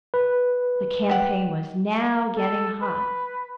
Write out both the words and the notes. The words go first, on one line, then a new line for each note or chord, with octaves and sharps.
The campaign was now getting hot.
B4
G4 F#5
A4
B4